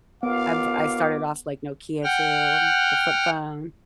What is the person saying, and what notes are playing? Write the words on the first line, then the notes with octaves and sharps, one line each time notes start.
I've I started off, like, Nokia too, the flip phone,
D#2 B3 F4 F5 D6
F#5 G5 F6